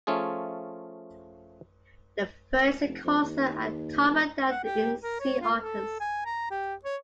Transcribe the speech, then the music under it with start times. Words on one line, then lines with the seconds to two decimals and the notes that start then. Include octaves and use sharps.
The fur is coarser and tougher than in sea otters.
0.07 F3 A3 C#4 F4 G#4
2.83 F1
3.04 F2
3.23 D#2
4.08 F1
4.50 F#5
4.64 G4
5.02 A#4
5.20 C#5
5.41 F4
5.57 A4
6.00 G#5
6.25 A#5
6.51 G4
6.85 C#5